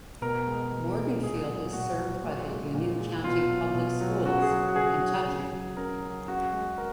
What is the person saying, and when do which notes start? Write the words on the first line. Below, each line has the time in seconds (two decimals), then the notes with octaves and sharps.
Morganfield is served by the Union County Public Schools, Kentucky.
0.22 B2 A#4
0.47 G#3
0.73 B2
0.97 G#3
1.23 A#2 G#4
1.48 F#3
1.73 A#2 F#4
1.99 F#3
2.23 A#2
2.49 G#3
2.74 A#2
3.00 G#3
3.24 B2 F4
3.49 F#3
3.75 B2
4.01 F#3
4.26 C#3 F#4
4.42 G#4
4.51 F#3
4.69 F#4
4.75 C#3 G#4
5.01 F#3
5.27 C#3
5.52 F#3
5.77 C#3 A#4
6.02 F#3
6.28 C#3 F#4
6.53 G#3
6.78 A#4